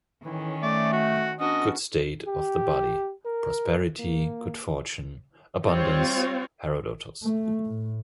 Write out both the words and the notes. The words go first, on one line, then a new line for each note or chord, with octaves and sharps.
Good state of the body: prosperity, good fortune, abundance.-"Herodotus".
A2 D#3 E3 C#4 E4
A3 D5
F#4
B3 C#4 D4 F#4 D#5
G4
A#4
A#3
G3 C4 F4 C5 C#5
A3
A2